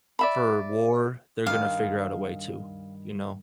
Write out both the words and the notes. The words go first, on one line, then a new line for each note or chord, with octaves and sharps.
for war, they're gonna figure out a way to. You know?
D5 E5 B5
G2 D#3 F5